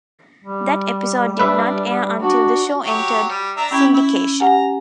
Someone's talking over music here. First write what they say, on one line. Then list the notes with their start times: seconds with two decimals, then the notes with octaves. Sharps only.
That episode did not air until the show entered syndication.
0.45 G3
1.39 D4 B4 E5
2.21 D4 F#4
2.83 F#3 G4 C#5
3.30 G3
3.57 D4 E5 A#5
3.71 C#4 E4 G4 G#6
3.94 E4
4.40 G4 F#5 G#5 A#5